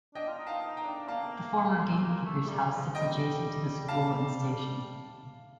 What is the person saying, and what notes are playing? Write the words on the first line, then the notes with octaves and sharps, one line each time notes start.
The former gamekeeper's house sits adjacent to the school and station.
D4 D#5 G5
F4
D#4
F5 A5
D#4
G5 A#5
D4
A#3 F5 A5
C4
A#3
A3
G3
F3
G3 D#5 G5
F5 A5